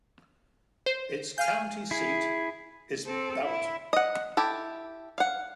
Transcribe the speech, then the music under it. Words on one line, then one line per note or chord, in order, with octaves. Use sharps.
Its county seat is Belton.
C5
F5 G#5 F6 G6
E4 G#4
C4 A4
E4
D#5 F#5
E4 G4 A4
F5 F#5